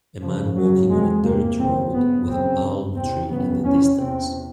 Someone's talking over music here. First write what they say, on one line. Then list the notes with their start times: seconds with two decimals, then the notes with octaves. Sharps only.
A man walking on a dirt road with a palm tree in the distance.
0.21 F#2 C#3 F3
0.56 F#2 C#3 F#3
0.91 F2 C3 G#3
1.24 E2 C3 A#3
1.59 F#2 C#3 C4
1.93 G2 B3
2.27 F#2 C#3 C4
2.62 G2
2.96 E2 C3 C4
3.30 F#2 C#3 B3
3.64 E2 C3 C#4
3.98 E2 C3 C4